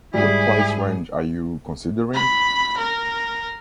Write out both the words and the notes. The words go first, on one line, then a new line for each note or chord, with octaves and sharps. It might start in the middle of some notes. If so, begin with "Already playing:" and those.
What price range are you considering?
G#2 G3 E4 G#4
B5
A#4